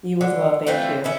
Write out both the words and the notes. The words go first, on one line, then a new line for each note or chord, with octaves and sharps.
You as well, thank you.
D3
E3 A3 C4 F4
B3 C#4 E4